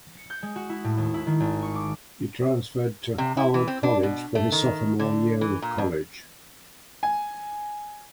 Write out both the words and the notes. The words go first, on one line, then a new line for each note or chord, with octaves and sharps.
He transferred to Howard College for his sophomore year of college.
C#7
G6
G#3
F#4
E4
A2
D#2
E4
D#3
G#1
C#6
D6
C3
E4
E3
C4
D4
B2
A3
D#3
D3
E3
A#2
F2
G#5